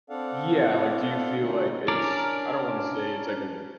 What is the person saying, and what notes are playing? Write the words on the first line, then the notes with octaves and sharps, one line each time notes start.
Yeah, like, do you feel like it's I don't wanna say it's like a
C4 D4 A4 D5 F5 F#5
D3 A3 C#4 D#4
C#4 D4 A#4 D5